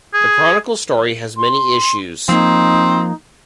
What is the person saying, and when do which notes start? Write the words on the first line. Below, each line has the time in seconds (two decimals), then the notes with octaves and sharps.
The chronicle story has many issues.
0.14 G#4
1.37 C6
2.29 F3 A#3 C4 D#4